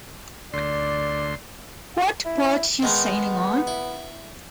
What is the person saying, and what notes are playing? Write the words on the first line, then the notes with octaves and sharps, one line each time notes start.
What boat you sailing on?
D2 D5 C6
E4
D#3 G#3 B3 D#4
E4